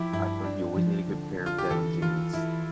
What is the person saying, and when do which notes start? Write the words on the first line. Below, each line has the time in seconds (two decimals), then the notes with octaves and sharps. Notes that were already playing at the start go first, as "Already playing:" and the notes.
I feel like you always need a good pair of denim jeans
Already playing: F3 E4 G4
0.12 G2 E4
0.44 C4 D4
0.76 F3
1.07 D3
1.39 D3
1.46 F4
1.58 G4
1.71 E3 A4
2.02 E3 F4
2.33 E3 E4